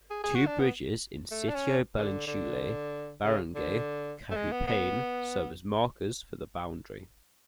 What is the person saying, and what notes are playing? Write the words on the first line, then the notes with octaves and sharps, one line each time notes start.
Two bridges in Sitio Balintulay, Barangay Kahupian serve as markers for the boundary.
G#4
G#4
F#4
D4
B3
A3
D4
C#4
C#3
D3
D3
C#3
D3
A3
G#3
B3
B3